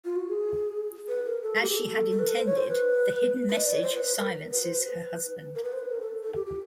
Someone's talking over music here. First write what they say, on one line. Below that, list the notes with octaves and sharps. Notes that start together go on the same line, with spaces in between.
As she had intended, the hidden message silences her husband.
F4
F#4
G#4
B4
A#4
A4
G4
G#4
A4
A4
B4
A4
C5
C#5
C5
B4
B4
D#5
D5
C#5
C5
B4
B4
A#4
B4
C5
B4
B4
A#4
B4
C5
B4
A#4
A4
A4
G4
G4